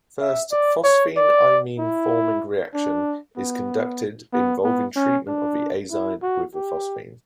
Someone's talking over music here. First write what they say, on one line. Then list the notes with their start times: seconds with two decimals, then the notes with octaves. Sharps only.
First phosphine imine-forming reaction is conducted involving treatment of the azide with the phosphine.
0.21 E5
0.52 D5
0.84 C#5
1.16 D5
1.79 E4
2.74 D4
3.37 B3
4.33 B3
4.64 B3
4.96 C#4
5.28 D4
5.91 E4
6.23 F#4
6.55 G4